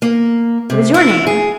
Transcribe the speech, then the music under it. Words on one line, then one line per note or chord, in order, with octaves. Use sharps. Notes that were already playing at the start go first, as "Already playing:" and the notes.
"What is your name?"
A#3
C3
E4
G#4